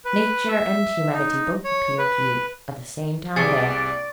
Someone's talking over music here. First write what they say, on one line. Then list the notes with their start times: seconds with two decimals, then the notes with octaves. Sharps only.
Nature and humanity both appeal to you at the same time there.
0.05 B4
0.49 E5
1.13 D#4
1.64 C#5
1.98 B4
3.36 C2 C3 G#4 D5 C#6 A6 C#7